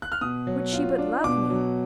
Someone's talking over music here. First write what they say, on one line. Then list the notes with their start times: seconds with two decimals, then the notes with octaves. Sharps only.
Would she but love me!
0.02 F#6
0.12 F6
0.21 B2 D#6
0.47 F#3
0.73 F4
0.98 D4
1.24 B2 D6
1.50 F#3